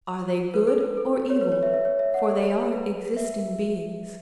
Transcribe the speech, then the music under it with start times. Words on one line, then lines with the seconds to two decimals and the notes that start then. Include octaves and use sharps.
Are they good or evil, for they are existing beings?
0.54 B4
0.67 A4
0.81 B4
0.97 A4
1.30 C#5
1.41 B4
1.52 C#5
1.63 E5
1.74 E5
1.85 C#5
1.99 E5
2.14 F#5
2.29 A4
2.72 B4
3.16 E5